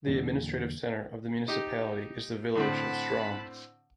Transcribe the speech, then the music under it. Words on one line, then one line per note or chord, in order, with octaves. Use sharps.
The administrative centre of the municipality is the village of Straume.
E2 A#2 D3 F#3
D#4 G4 D#5
A2 D3 C4 F#5 A5 B5